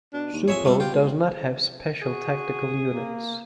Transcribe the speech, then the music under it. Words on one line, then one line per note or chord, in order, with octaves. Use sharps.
Supo does not have special tactical units.
B2 D4
D#2
F2 G#4 C#5 E5 G#5
G3 A3 C4
B2 F4 G4
G#3
F#4 G#4
A#3